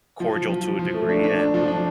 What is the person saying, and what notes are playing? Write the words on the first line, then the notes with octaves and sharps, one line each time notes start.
cordial to a degree and
F3
F3
F3
F3
F3
A3
D4
D4
D4
F3
D4